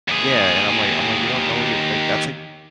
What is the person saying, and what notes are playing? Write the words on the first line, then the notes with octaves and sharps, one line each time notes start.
Yeah, and I'm like I'm like, "You don't know what you're" like, that's, like
D#2 G#4